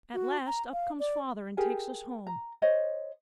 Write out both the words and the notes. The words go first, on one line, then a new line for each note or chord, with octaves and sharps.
At last, up comes father and takes us home.
F#4
A#5
F5
D5
G4 G#4 A#4 G#5
A#5
C5 C#5 D#5